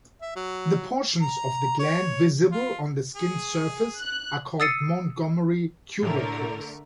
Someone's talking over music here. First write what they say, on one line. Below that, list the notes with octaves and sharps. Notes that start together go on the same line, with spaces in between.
The portions of the gland visible on the skin's surface are called "Montgomery tubercles".
E5
F#3
A#5
C#5
F4
G#4 D#6
F#6
D#6 E6 A6 C7 C#7 D#7
A2 D3 A3 A#4